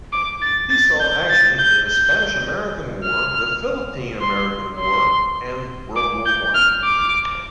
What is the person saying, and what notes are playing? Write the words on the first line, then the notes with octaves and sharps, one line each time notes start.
He saw action in the Spanish-American War, the Philippine-American War, and World War One.
D6
A6
A6
G6
A6
G6
G6
F6
C6
C6
D6
G6
F6
D6